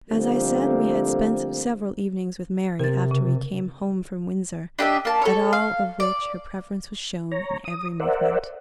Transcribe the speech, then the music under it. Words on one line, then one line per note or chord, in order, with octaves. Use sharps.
As I said, we had spent several evenings with Mary after we came home from Windsor, at all of which her preference was shown in every movement.
D3 F3 G3 A3 A#3 C4
C3 A#4 A6
C#3
D4 G4 D#5 E5
A#3 A5
A4 C#5
F5
D5
C#5 A#5
D#6
A#4 C5 D5 E5 F#5